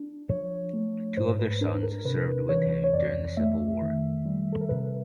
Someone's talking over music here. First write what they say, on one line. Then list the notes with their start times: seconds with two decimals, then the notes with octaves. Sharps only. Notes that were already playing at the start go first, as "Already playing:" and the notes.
Two of their sons served with him during the Civil War.
Already playing: D4
0.29 F3 C#5
0.73 A3
1.17 G#2 C5
1.39 B4
1.61 D4 A#4
1.83 A#4
2.05 C3 B4
2.49 E3 C#5
2.84 C#5
2.93 F2 D5
3.37 A3 E5
3.82 D#3
4.25 G3
4.52 A4
4.61 A#4
4.69 C3 B4